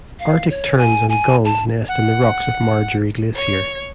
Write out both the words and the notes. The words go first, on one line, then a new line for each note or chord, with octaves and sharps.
Arctic terns and gulls nest in the rocks of Margerie Glacier.
F5
C#5
G#5
G#5
A5
F#5
C#5